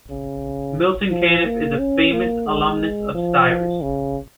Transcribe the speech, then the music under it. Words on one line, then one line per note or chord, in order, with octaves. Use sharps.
Milton Caniff is a famous alumnus of Stivers.
C#3
F3
A#3
C#4
A#3
G#3
F3
C#3